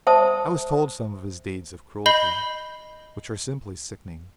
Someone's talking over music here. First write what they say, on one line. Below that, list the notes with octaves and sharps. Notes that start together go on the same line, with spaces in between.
I was told some of his deeds of cruelty, which are simply sickening.
C5 E5 A5 D#6
D#5 B5 G6 C7 G7